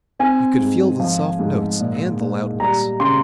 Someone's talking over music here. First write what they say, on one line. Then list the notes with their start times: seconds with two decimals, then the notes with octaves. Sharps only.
You could feel the soft notes and the loud ones.
0.19 C4 G#5
0.59 G#2
1.00 F3
1.39 G#2
1.81 A#2
2.20 A#2
2.60 G3 A#5
3.00 C#3 C6